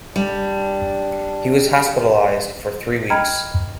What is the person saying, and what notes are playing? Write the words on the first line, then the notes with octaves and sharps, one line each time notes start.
He was hospitalized for three weeks.
G3 D4
D#5 G5 A#5 B5 F6 G#6